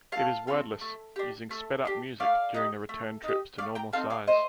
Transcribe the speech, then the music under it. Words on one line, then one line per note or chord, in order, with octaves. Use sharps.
It is wordless, using sped-up music during the return trips to normal size.
A3 F5 A5
C4 F4 A4
A3
D4 G4
A3
D4 G4
A3 D5 F5
D#4 G4
A3
D#4 G4
A3 D5 F5
G5 A#5
C4 D#4 A4 F5 A5
D5 F5
A3 C5 D#5